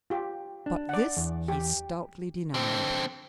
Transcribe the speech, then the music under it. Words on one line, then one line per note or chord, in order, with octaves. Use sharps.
But this he stoutly denied.
F4 G4
D4
D5 F#5
E2
G4
D3 C4